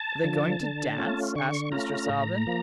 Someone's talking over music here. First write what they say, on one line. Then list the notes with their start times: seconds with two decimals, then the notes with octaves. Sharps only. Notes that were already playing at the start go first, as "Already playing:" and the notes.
"Are they going to dance?" asked Mr. Salvin.
Already playing: A5
0.24 D3 F3
0.60 D3
0.98 A3 C#4 F4
1.35 D3 C#6
1.72 A3 C#4 F4 A#5
2.09 A2
2.47 F3 A#3